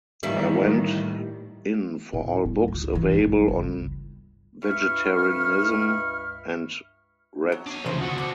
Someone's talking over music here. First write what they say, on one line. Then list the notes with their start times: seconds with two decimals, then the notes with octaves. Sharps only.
I went in for all books available on vegetarianism and read them.
0.23 A2 D#3 E3 G3 A#3 E4
2.13 A2
2.45 G3
2.68 G#1 D2
2.93 G1 E3
3.15 A#1 G2
3.48 G1 C#2
4.62 C#2 G2 E5 B5 C#6 F6
7.52 F#3
7.67 D4 G#5
7.86 D2 C#3 E3 F3 A4 C5 C6
8.01 B2 D3 F#4
8.18 C4 A4 D6